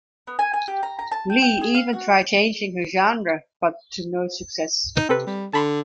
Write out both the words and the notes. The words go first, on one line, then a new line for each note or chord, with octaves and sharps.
Lee even tried changing her genre, but to no success.
B3
G#5
G#5
G4
A#5
A#5
A5
G5
G5
G#4
F5
F#4
D#4
C3 C4 A4 B4
G3
D3 A5 B5 C6